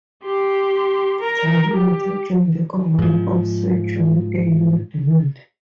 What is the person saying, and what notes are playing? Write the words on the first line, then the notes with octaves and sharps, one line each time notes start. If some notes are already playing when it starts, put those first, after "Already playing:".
Tilley later joined the government of Sir John A. Macdonald.
G4 C6
A#4
G4
G#2 F3